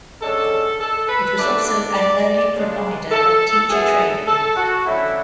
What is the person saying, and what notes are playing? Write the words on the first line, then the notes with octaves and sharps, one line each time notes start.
It was also an early provider of teacher training.
D3 G#3 C#4 A4
A4
B4
D3 A3 D4 D5
D5
D5
C#3 G#3 D4
A4
F#2 E3 B3 G#4
A4
A4
F#4
D3 F#3 A3 C#4 E4